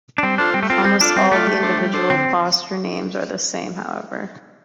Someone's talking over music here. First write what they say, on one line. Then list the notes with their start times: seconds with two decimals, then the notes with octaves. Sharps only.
Almost all of the individual posture names are the same, however.
0.18 D4
0.23 G3 C4
0.38 D4 F4 A4 C5
0.54 G3 C4
0.63 A3
0.70 C4 F4 A4 C5
0.85 G3 C4
1.01 D4 F4 A4 D5
1.16 G3 C4
1.32 A3 F4 A4 D5
1.47 G3
1.63 D4 A4 C5
1.78 G3
1.94 D4 A4 C5
2.10 D3 C4